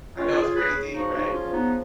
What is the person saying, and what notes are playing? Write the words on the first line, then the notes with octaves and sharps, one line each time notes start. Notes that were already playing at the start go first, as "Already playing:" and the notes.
I know it's pretty deep, right?
C#3 C#4 F4
F4 G#4
C#3
G#4 B4
C#3
F3 D#4 F#4
D#4 F#4
C#3
C#4 F4
F3
B3 D#4